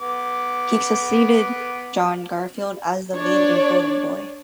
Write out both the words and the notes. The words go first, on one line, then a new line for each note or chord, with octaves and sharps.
He succeeded John Garfield as the lead in "Golden Boy".
B3 D6
D4 C#5 D5